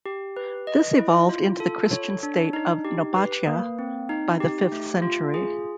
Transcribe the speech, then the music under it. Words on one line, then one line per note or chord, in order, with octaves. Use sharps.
This evolved into the Christian state of Nobatia by the fifth century.
G4
B4
D#5
E4
F4
A4
C#5
D4
D#4
G4
B4
A#3
C4
D#4
G4
A3
F4
G#4